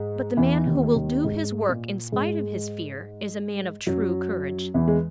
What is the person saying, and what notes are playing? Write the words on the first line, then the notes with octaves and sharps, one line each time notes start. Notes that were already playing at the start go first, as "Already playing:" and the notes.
But the man who will do his work in spite of his fear is a man of true courage.
Already playing: G#2 G#3
E2 E3
D#2 D#3
D#2 D#3
G#2 G#3
A#2 A#3
G#2 G#3
F#2 F#3
E2 E3
G#3